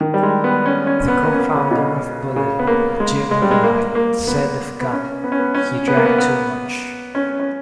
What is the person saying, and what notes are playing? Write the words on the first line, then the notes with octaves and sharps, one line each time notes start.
The co-founder of Bullet, Jim Bulleit, said of Gant:He drank too much...
D#3
G3
G#3
B3
C#4
C#4
C#4
B3
A#3
C#4
B3
C#3
B2
C#3
B3
A#3
G#3
G#3
G3
G#3
A#3
A#3
B3
B3
C#4
B3
C#4
B3
C#4
B3
A#3
B3
B3
C#4
C#4